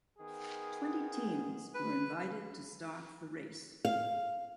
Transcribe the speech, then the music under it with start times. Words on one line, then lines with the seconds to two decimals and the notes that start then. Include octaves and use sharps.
Twenty teams were invited to start the race.
0.19 D#3 B3 G#4
1.74 B4
3.85 F5